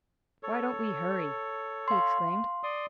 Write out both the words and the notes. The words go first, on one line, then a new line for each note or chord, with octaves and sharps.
"Why don't we hurry!" he exclaimed.
A4 C#5
F5 C6
D5 C6 D#6